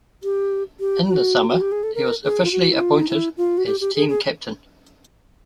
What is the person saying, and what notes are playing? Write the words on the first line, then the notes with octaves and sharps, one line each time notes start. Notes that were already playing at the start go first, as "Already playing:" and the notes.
In the summer, he was officially appointed as team captain.
G4
G4
F#4
F#4
G4
G#4
A4
A#4
G#4
F4
F#4
E4
F4
D#4
E4
F4
F#4
G4
G4
G#4
G#4